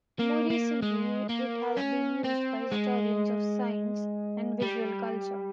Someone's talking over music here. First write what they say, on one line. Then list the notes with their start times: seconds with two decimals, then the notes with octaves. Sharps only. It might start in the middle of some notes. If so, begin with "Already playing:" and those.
More recently it has been used by historians of science and visual culture.
0.19 A#3
0.50 A#3
0.82 G#3
1.29 A#3
1.77 C#4
2.24 C4
2.72 G#3
4.61 G3